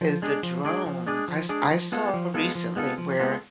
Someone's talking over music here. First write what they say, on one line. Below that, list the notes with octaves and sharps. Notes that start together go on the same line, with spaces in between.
is the drone. I s I saw recently where
F3
G#3 D4 G#4 D5
F3
G#3 D4 G#4 D5
F3
G#3 D4 G#4 D5
F3
G#3 D4 G#4 D5
F3
G#3 B3 F4 A4
F3
G#3 B3 F4 A4
F3
G#3 B3 F4 A4
F3
G#3 B3 F4 A4